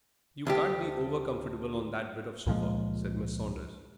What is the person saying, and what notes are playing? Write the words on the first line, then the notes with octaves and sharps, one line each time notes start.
"You can't be over-comfortable on that bit of sofa," said Mrs. Saunders.
D2 G3 G4
C#2 A#2 F3 G#3